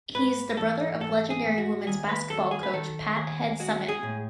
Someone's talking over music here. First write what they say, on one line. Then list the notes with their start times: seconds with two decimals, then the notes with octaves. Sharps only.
He is the brother of legendary women's basketball coach Pat Head Summitt.
0.15 G#2 B4
0.57 E3 A4
1.00 G#2 A4
1.30 G#4
1.44 G#2
1.58 F#4
1.87 D#2 G#4
2.09 B4
2.30 F#3 A4
2.51 G#4
2.63 B4
2.73 D#3 A4
3.16 D#2 G#4
3.60 G#3 F#4
3.88 G#4
4.03 A2